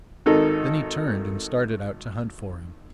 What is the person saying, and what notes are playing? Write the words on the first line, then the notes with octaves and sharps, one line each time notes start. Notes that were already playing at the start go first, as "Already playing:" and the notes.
Then he turned and started out to hunt for him.
G#1 D#3 D#4 A4